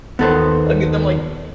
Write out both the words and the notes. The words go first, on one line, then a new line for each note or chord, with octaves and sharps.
I'll give them like
D#2 B3 A4 C5